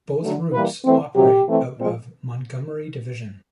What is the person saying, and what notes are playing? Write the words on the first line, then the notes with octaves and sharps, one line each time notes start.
Both Routes operate out of Montgomery division.
D3 F#3 A3
E3 G3 A#3 B4
E3 A3 C4
C3 D#3 F#3 G4
E3 A3 C4
A#2 F3 G#3 C4